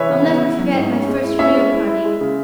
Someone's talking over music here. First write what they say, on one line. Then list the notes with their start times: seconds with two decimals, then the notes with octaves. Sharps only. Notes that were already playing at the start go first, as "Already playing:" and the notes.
I'll never forget my first real party.
Already playing: E3 B4 C#5 E5
0.09 C#3
0.26 B3
0.42 E4
0.59 F#3
0.74 G#2
0.91 C#4
1.07 G#3
1.24 E4
1.39 C#4 E5
1.55 G#3
1.72 E4
1.88 E4
2.04 G#3
2.21 C#3